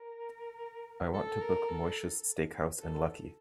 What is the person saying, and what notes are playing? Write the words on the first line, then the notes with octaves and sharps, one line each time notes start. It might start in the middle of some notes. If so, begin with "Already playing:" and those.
I want to book Moishes Steakhouse in Lucky.
Already playing: A#4
A4
A#4
A4
A4